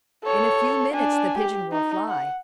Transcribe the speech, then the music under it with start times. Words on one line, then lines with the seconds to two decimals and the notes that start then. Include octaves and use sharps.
In a few minutes the pigeon will fly.
0.24 A4 C#5
0.94 D4 G#5
1.39 G4
1.72 D#4
2.08 F#5